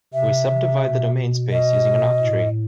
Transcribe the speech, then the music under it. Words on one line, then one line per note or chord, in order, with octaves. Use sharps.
We subdivide the domain space using an octree.
C3 E5
B2
D#5
A2